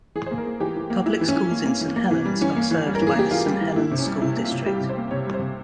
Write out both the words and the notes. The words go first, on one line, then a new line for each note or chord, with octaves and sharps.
Public schools in Saint Helens are served by the Saint Helens School District.
E3 G#4
A#3 C5
A#4
A#3
E3 G4
E3
A#3
A#3 E4
E3
C#4
E3
A#3
A#3
E3
A#3
E3
G3
E3 C#4
A#3
E3
G3
A#4
E3 G#4
A#3 G4
E3 F4
G3
E3
A#3 E4
C3
C#4
G3
C3 E4
A#3
F4
C3
G3 G4
C3
C5
A#3
C3 C#5
G3
C5
C3